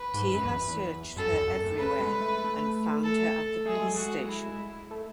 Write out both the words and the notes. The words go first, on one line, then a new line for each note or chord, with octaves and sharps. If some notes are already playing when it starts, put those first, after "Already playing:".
Thiha searched her everywhere and found her at the police station.
Already playing: B4
G#2
F#2
E2
E2
F#2 A4
E2
F#2
A2
C#3 B4
G#3
A3
A3
A4
A3 G#4
G#3
F#3
G#3 F#4
E4
A3